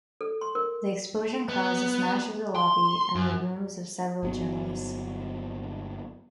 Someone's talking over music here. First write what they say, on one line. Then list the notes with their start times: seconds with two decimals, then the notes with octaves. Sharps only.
The explosion caused the smash of the lobby and the rooms of several journalists.
0.21 A4
0.41 C6
0.55 A#4
1.49 B3
2.56 C6
3.15 F#2
4.23 G1 F#3 B3